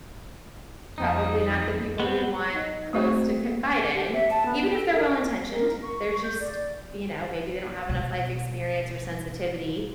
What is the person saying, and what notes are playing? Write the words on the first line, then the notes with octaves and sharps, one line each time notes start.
probably not the people we want close to confide in. Even if they're well intentioned, they're just you know, maybe they don't have enough life experience or sensitivity
F2 D#4
B3 C4
D#4
A3 C4 F#4 G#4
G4
E5
A5
B3
A4
A#4
A#4
C#6
G6
D5
B2 B3